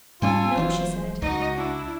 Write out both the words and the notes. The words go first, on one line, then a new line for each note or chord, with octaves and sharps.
"No," she said.
G#2 G3 C#4 F4 A4 G#5
F1 E3 F#3 C5
C#2 D#4 F#4 D#5
D4 E4